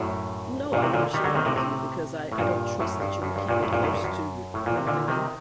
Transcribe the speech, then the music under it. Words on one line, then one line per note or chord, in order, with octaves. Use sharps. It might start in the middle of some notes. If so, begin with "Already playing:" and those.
No, I won't share it with you because I I don't trust that you will keep it close to you, you know what I mean?
Already playing: F#2 A2
G2 A#2
A2 C3
A#2 D3
D#3 G3
D3 F#3
C3 D#3
A2 C3
A2 C3
A2
G2 A#2
F#2 A2
G2
F#2
G2
G2 A#2
F#2 A2
G2 A#2
F#2 A2
G2
F#2
A2
A#2
C3
A#2 D3
C3 D#3